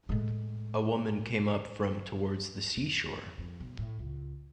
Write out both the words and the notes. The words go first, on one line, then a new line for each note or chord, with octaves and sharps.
A woman came up from towards the sea shore.
A2 G#3
F2
F2
B1
A2
C#2